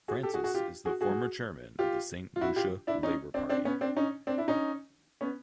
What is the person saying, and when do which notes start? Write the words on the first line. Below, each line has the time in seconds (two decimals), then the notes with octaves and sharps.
Francis is the former chairman of the Saint Lucia Labour Party.
0.08 F#4 G#4
0.23 G4 A4
0.34 F#4 G#4
0.44 F#4 G#4
0.54 F4 G4
0.86 F#4 G#4
1.01 F#4 G#4
1.79 F4 G4
2.36 F4
2.41 E4 F#4
2.56 F4 G4
2.87 D4 E4
3.03 C#4 D#4
3.34 C4 D4
3.49 C4 D4
3.65 B3 C#4
3.81 C4 D4
3.96 C#4 D#4
4.27 C4 D4
4.38 D4 E4
4.48 C#4 D#4
5.21 B3 C#4